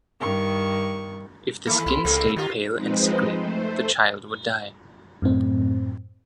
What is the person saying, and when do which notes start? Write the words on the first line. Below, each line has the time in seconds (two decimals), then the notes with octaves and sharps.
If the skin stayed pale and sickly, the child would die.
0.18 G2 D#3 C#6
1.67 D#2 E3 A#3 A4 E5 B5
1.86 C2 E4 C6
2.05 C#2 B2 A#3 C4 A4
2.36 A2 D#3 F4 G4
2.73 F3 G#3 C4 D#4 B4 C5
3.38 A3 C5
5.22 F#2 A2 C4